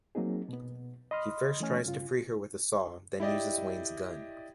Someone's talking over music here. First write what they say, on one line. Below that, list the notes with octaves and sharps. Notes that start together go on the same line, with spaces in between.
He first tries to free her with a saw, then uses Wayne's gun.
F#3 A#3 C4 D#4 G#4
B2 B3
D#5 B5 C6 D#6 F6
E3 A3 C#4 C#5 G#5 F6
G2 C#3 F4
E4 G4 D5 D#5